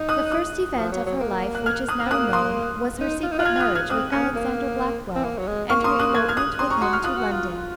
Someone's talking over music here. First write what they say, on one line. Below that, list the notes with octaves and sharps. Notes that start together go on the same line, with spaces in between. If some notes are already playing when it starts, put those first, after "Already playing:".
The first event of her life which is now known, was her secret marriage with Alexander Blackwell, and her elopement with him to London.
Already playing: D#4
D#6 F#6
D#6 F#6
F3
F#3
F#3
A#3
F#6
F6 G#6
D#6 F#6
F6
C4
A#3 D#6 F#6
C6 D#6
D#4
F4
D#4
F4 F#6
F6 G#6
G#6
D#6 F#6
F6 G#6
C4 D#6 F#6
C#4
A#3
C4
A#3
F#3
G#3
A#3 C#6 F6
C6 D#6
D#6 F#6
G#6
F6 G#6
D#6 F#6
C4 C6 D#6
A#5 C#6
F#4 C6 D#6
C#6 F6
F4 D#6 F#6
F#4
F4